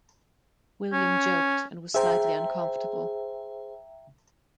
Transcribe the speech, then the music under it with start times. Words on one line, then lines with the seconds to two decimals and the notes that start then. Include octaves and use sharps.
William joked, and was slightly uncomfortable.
0.93 C#4
1.94 G#4 C5 E5 G5 A#5